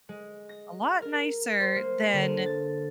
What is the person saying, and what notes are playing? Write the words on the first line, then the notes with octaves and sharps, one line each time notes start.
a lot nicer than
G#3
A#6
A#4
C5
A#3
D3
A6